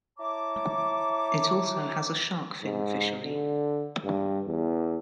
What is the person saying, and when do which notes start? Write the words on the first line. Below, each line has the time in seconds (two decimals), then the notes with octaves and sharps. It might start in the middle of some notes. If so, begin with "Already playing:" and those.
It also has a shark fin fishery.
0.18 E4 C#5 A5 A#5 D6
2.63 G#2
3.22 D3
4.04 G2
4.46 E2